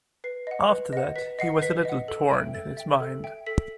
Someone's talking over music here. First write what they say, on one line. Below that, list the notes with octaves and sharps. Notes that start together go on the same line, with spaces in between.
After that he was a little torn in his mind.
B4 C7
D#5 F#5
B4
D#5 F#5
B4 B6
D#5 F#5 C7
B4 B6
D#5 F#5
A4
E5 G5
A4 A6
E5 G5
A4
E5 G5
A4 B6